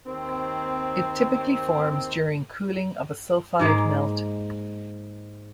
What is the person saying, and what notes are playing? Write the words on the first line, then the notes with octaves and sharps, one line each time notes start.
It typically forms during cooling of a sulfide melt.
D#2 C4
G#2 G#3 A#3